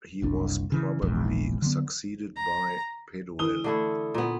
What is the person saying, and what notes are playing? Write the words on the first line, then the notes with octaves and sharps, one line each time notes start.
He was probably succeeded by Peduel.
F#1 C2 D4
C#3 E3
E1 A#1 E2 G#2
D3 F#3 B3
A#5
E3 D#6 G7
D3 A3 E4
A#2 B3